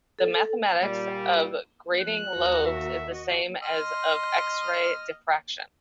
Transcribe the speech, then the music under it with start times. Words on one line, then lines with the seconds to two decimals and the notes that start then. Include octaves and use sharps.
The mathematics of grating lobes is the same as of X-ray diffraction.
0.19 A4
0.81 A#2 G3
2.01 F3 F#6
2.34 D#2 F#4 A#4
2.66 E5
3.10 F#4 D#5
3.62 D#5 C6 F6